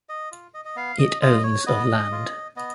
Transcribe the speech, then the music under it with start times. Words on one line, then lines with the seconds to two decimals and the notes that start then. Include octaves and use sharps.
It owns of land.
0.09 D#5
0.31 F4
0.54 D#5
0.65 D#5
0.76 B3 F5
0.99 D#5
1.22 F4 D#5
1.44 C#5
1.66 B3 D#5
2.12 F4
2.56 B3 D#5